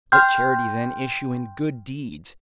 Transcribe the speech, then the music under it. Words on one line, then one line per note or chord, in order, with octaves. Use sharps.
Let charity then issue in good deeds.
G5 C6 F6 G6